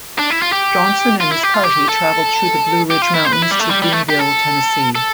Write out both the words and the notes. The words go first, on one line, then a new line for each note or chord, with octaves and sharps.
Johnson and his party traveled through the Blue Ridge Mountains to Greeneville, Tennessee.
D4
E4
F4
G4
F4
E4
G4
F4
G4
A4
G4
F4
E4
C5
B4
E4
G3
A3
G3
G3
A3
G4
A4
A4